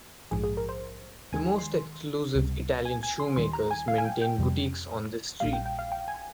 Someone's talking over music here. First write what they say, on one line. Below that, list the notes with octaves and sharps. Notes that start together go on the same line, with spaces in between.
The most exclusive Italian shoemakers maintain boutiques on this street.
A#1 G#2 F3 G#3 G#4
G#4
A#4
C5
D#2 D#3 G#3 G#5
C6
C#2 C3 G3
G#5
G#5
C6
D#2 D#3 G3 C6
A#5
G#5
F5
G#5
G5
G5
F2 C3 G3
A#1 A#2 G3 F5
G5
G5
F5
G5
G#5